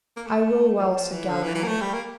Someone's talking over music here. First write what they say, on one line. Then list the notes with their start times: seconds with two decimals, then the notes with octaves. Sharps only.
I will well, said Galahad.
0.17 A#3
0.27 A3
0.78 F3
0.96 F3
1.12 E3
1.29 D3
1.43 E3
1.55 E3
1.63 A#3
1.68 A3
1.81 G3
1.94 A#3